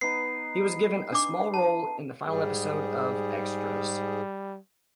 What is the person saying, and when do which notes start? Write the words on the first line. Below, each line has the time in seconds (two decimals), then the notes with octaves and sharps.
He was given a small role in the final episode of "Extras".
0.01 B3 D#4 C7
1.12 D4 D6
1.54 A5
2.27 G#2 G3 G#4